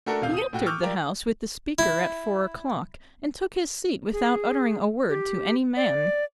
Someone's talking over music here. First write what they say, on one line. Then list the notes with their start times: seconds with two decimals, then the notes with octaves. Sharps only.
He entered the House with the Speaker at four o'clock, and took his seat without uttering a word to any man.
0.06 A3 D4 F#4 A4 A#4
0.22 D#1 C3 F4 F5 G6
0.34 D#6 D#7
0.53 A2 F#4 G5
0.66 C#6 D6 E6 F6 G6
0.83 F4 G4 A#4 D5
1.79 E4
4.13 G#4
5.09 G4
5.77 D5